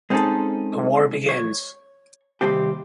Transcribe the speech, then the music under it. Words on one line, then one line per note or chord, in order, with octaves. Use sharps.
The war begins.
G#3 C4 C#4 D#4 G#4 A4
C#5
D#2 C3 G3 C4 G4